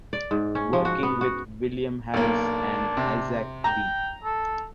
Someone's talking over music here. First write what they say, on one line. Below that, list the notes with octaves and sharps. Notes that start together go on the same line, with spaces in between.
Working with William Harris and Isaac B.
D5
G#2
C#4
F3
F#4
B3
F#4
B1 A#3 D4
C3
G5 A#5
A4